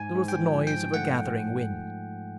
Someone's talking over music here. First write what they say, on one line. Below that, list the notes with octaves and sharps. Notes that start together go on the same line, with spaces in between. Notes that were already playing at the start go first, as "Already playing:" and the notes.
There was the noise of a gathering wind.
Already playing: G#2 G#5
G#2
G5
F3
G#2 G5
A3 F#5